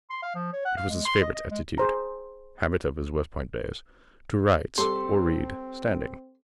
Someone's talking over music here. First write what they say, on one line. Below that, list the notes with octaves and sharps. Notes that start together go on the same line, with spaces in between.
It was his favorite attitude--habit of his West Point days--to write or read standing.
C6
F5
F3
C#5
F#5
F5
G#3
C6
D#5
D#5
G#3
G#4 C5 A#5
G3 C4 A4 C6